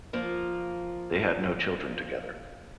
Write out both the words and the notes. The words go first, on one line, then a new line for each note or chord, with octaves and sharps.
They had no children together.
F3 A#3 F4